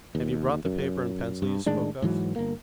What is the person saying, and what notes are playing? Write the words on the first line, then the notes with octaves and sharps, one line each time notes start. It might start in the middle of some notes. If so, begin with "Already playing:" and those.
Have you brought the paper and pencil you spoke of?
D#2
F#2
G2
A2 D#3 G#3 D4
G#2 E3 F#3
G1 A#3